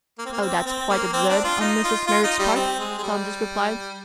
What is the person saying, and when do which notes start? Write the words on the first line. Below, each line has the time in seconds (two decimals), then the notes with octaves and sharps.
"Oh, that's quite absurd on Mrs. Merrit's part," Saunders replied.
0.18 A#3
0.25 C4
0.33 A#3
0.41 C4
0.65 C4
0.90 A#3
1.13 C4
1.29 D4
1.44 F4
1.61 D#4
1.84 F4
2.07 F4
2.24 D#4
2.39 G3
2.55 C4
2.79 G#3
2.98 G#3
3.03 G3